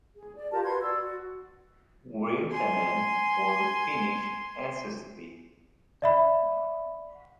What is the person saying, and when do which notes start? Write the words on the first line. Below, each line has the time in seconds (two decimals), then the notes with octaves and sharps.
Wirtanen was of Finnish ancestry.
0.15 G#4
0.35 D5
0.51 F4 G4 A#4 A5
0.64 F#4 B4 C6 G#6
0.81 D5 E6
0.99 F#4
2.51 G#5 C6
6.02 D5 E5 B5